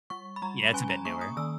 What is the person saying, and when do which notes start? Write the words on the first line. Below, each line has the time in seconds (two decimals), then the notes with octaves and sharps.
Yeah, it's a bit newer.
0.10 G3 C#6
0.36 B5
0.42 G3 A#5
0.73 C#4 G#5
0.90 A#5
1.05 A#3 C#6
1.21 D#6
1.37 D#3 E6